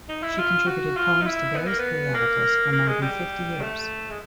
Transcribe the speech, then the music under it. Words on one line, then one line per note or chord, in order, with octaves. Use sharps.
She contributed poems to various periodicals for more than fifty years.
D#4
E4
F4
F#4
F4
D#4
E4
B3
A#3
B3
A#3
A#3
G#3
G3
A3
G#3